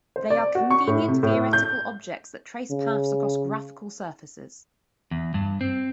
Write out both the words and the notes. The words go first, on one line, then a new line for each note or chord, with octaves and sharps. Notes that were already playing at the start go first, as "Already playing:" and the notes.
They are convenient theoretical objects that trace paths across graphical surfaces.
C5
D5
F#4
C#6
A2
C3
A2
G6
C#3
E2
G2
C4